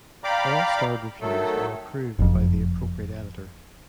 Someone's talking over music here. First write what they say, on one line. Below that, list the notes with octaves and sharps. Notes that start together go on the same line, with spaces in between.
All starred reviews are approved by the appropriate editor.
D5 F5 G5 A#5 B5 D6
D#3 F#3 A3 A4
F#1 F2